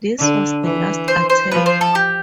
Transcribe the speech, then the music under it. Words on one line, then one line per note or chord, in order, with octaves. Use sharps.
This was the last attack.
D3
E3
C5
C5
F3 B4
C5
A4
G4